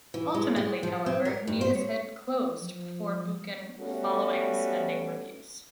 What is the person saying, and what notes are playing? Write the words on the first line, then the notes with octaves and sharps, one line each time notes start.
Ultimately, however, Neatishead closed before Buchan following spending reviews.
E3
G#3
G#3
F3
C4
A#4
G2
C5
C#5
F3
G3 A3 B3 C#4 F#4 A4